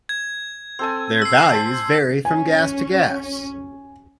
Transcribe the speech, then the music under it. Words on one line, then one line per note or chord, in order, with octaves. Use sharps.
Their values vary from gas to gas.
G#6
C4 A4 G#5
E6 C7
C5 G#5 A5
C#4 G#5